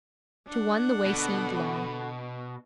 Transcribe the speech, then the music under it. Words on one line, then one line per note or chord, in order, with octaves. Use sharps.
To one the way seemed long.
D4 F#5
B2 D3 B3